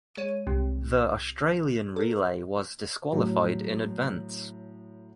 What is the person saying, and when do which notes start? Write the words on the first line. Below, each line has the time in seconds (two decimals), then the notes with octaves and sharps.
The Australian relay was disqualified in advance.
0.17 G#3 C#5 D#7
0.47 C2
1.96 A4 A#4
3.12 A2 F#3